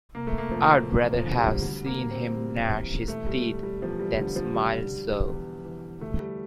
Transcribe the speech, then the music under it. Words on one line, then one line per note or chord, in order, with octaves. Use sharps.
I’d rather have seen him gnash his teeth than smile so.
F1 A#3
A3
A#3
F1 F3
E2
F3
D3
G3
D2 G3
A#3
D2
C4
C3 G3
E3
E1 A3
G3
E1
G3
E2 F3
G3
D3 G3
F3
E1 G3
E1
E2
E3
D2 A3
G3